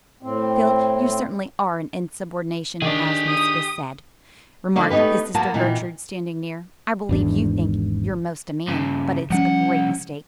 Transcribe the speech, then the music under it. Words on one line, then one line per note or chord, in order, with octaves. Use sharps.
"Phil, you certainly are an insubordination, as Miss Fisk said," remarked his sister Gertrude, standing near, "I believe you think you're 'most a man, but it's a great mistake."
A2 C4
D#3 D4 G4 G#4
D#6
D#2 D3 G3 A#3 D5
A3 B3 D#4 G4 B4
F#3 A#3 B3 F#4 A#4 A5
A#2 D#3 E3
G#1 E2 D4
G2 C#3
C2 F3 G3 C#4 F#5